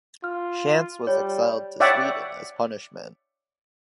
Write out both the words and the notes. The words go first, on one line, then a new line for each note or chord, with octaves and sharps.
Schantz was exiled to Sweden as punishment.
F4 F6
G3 C#5
C#5 D5 E5 F#5 G5